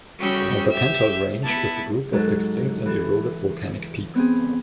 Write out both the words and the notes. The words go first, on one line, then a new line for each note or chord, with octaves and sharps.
The Cantal range is a group of extinct and eroded volcanic peaks.
G3 C#4 F#4 G#4 G5 E6
G4 E5
B3 E4 A5
G#2 F#3 A4
E3 A4
B3 C4 G#4